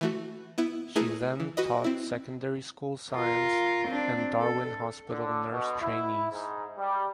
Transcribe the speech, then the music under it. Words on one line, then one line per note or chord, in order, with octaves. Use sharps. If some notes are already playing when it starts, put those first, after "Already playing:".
She then taught secondary school science and Darwin Hospital nurse trainees.
E3 A3 F#4
B3 E4
A3 E4 G#4 A#4 B4
E3
F#4 B4 D#5
C4 E4
F4 A#4
C4 D4
A4
D3
B2
E4
G#2
G3